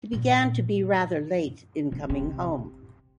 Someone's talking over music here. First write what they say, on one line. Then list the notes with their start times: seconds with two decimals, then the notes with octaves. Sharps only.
He began to be rather late in coming home.
0.13 A#2
1.92 C3
2.10 C3